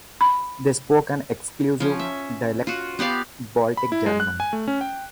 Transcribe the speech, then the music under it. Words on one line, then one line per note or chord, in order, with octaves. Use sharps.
They spoke an exclusive dialect, Baltic German.
B5
F3 C#4
E5
F4 F#4
B3 G4 D5 F5
B5
E4
G#3
F#6
G#5
A3
C#4
G5